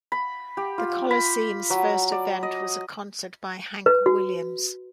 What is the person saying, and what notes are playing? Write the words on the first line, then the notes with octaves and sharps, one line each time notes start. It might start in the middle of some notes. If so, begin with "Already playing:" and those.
The coliseum's first event was a concert by Hank Williams.
B5
G4
F4
B5
F#3
D5
D#5
B4
F#4